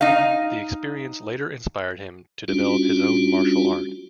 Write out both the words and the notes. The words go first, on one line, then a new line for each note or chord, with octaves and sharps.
The experience later inspired him to develop his own martial art.
D#4 F5
G3 C#4 D4 F4 F#4